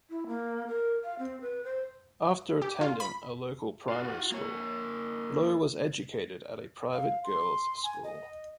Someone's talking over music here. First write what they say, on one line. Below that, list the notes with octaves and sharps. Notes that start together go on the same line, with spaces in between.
After attending a local primary school, Blow was educated at a private girls school.
E4
A#3
A#4
F5
C4
B4
C5
G4
F4
B5
F4 F#4
A#3 C#5
F5
C6
G#5
D#5